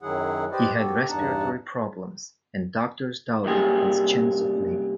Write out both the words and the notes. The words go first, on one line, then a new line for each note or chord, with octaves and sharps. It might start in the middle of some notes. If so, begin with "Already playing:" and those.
He had respiratory problems and doctors doubted his chance of living.
F#2 D#3 F#3 E4 G#4 F#5
G4 B4 C5 D5 D#5
B3 F#4 G4 A4
E2 G2 D4 D#4 F#5 A5
C2 F#2 F#3 A#3 G4 G#4